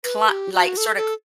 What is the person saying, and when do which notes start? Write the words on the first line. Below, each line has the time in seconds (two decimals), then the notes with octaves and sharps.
cla like, sorta
0.04 B4
0.28 G4
0.53 F#4
0.77 A4
0.97 A4